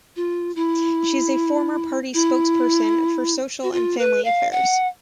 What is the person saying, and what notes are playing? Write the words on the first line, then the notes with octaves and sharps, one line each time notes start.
She is a former party spokesperson for Social and Family Affairs.
F4
E4
E4
F#4
F4
B4
F5
F#5